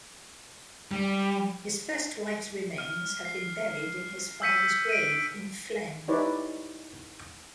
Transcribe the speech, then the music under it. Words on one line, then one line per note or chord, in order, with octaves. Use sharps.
His first wife's remains have been buried in his father's grave in Flen.
G3
F6
C7
E6 G6 B6 C#7 D#7
D7 D#7
D#4 E4 G4 B4 C#5 D5